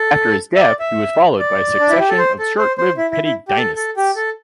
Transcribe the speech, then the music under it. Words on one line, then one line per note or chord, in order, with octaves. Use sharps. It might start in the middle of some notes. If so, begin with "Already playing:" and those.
After his death, he was followed by a succession of short-lived petty dynasts.
Already playing: A4
E5
D5
E5
D5
D4
E4
G4
A4
C5
A4
C5
C5
E4
E4
E4
G4
A4
A4
G4
A4